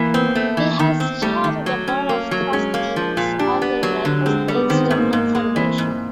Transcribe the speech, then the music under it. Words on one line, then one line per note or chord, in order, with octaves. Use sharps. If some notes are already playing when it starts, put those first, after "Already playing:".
He has chaired the Board of Trustees of the United States-Japan Foundation.
Already playing: E3 A#3
B3 C4
A3
E3
D#3
C4
G3 A3
D#3
F#3
C#4
A#3
F#3
G#3 C#4
A#3
F3
A#2
G3 D4
B3
F#3
D3
G#3 C4
G3
B3
D#3 C4
B3
G#2
A#3
G#2 A#3
G#3
E3 C4
G#2